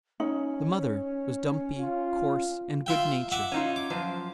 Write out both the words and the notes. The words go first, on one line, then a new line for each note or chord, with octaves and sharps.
The mother was dumpy, coarse, and good-natured.
C#4 D#4
F4
F4 E5 G5
E5 F#5 D6
C#4 D#4 F4
D6
F#2 F3 C5